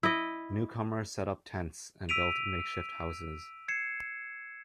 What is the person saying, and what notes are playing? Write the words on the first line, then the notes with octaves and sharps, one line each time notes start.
Newcomers set up tents and built makeshift houses.
E4 D#5
E6 B6 D7 D#7 F7
G#6 C7 C#7 E7